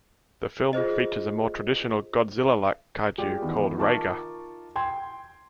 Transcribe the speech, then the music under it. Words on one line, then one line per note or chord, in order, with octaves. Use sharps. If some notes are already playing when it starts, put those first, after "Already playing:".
The film features a more traditional Godzilla like kaiju called Raiga.
F4 G#4 C5 D#5
G#3 F4 G4 D5
D#3 E3 B3
D#4 F4 A#4 A5 C#6 D6
G5 C6 G#6